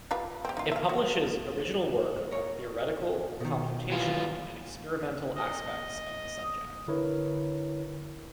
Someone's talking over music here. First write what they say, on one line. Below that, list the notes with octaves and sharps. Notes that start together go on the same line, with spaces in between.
It publishes original work on theoretical, computational, and experimental aspects of the subject.
F4 G4 B4
C4 G4
D#4 F4
E5 F5
F#4
A#4 C#5
B2 D#3
E3 F4
D#5
D3 E4 A#4 B4 C#5